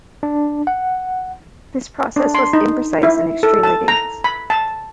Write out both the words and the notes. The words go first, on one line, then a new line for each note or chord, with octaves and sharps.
This process was imprecise and extremely dangerous.
D4
F#5
D4
C6
D#4
E4
A4
A5
A#5
B5
A5